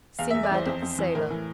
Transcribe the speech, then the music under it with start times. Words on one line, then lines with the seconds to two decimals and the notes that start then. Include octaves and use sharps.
"Sinbad the Sailor."
0.19 E2 F5
0.30 E5
0.35 E2
0.43 D5
0.51 E3 C5
0.66 F2 C5
0.82 F2
0.99 E3
1.15 A2 A#4
1.30 E3